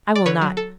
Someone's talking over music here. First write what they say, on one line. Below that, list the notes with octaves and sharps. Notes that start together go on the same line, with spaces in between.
I will not.
D5
D3 B4 C#5
F#3
A4